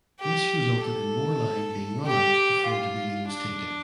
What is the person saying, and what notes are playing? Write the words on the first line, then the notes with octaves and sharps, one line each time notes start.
This resulted in more line being run out before the reading was taken.
G4
A4
G4
F4
D4